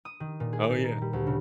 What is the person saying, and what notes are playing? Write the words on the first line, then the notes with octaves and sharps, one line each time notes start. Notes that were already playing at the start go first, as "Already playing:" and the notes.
Oh, yeah.
D#6
D#3
A#2
G#4
D#4
A#4
G3
D2
C#3